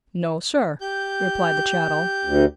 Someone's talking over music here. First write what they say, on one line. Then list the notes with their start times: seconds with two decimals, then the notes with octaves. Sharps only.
"No, sir," replied the chattel.
0.81 G4 G6
2.24 D2